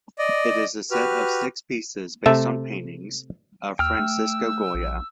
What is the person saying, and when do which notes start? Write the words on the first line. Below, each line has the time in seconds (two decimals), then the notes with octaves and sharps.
It is a set of six pieces based on paintings of Francisco Goya.
0.19 D5 D#5
0.91 F#4 G4 B4 F6
2.26 C3 A3 E5 A5
3.79 D#2 G5 E6 F6
3.99 A3
4.75 A#1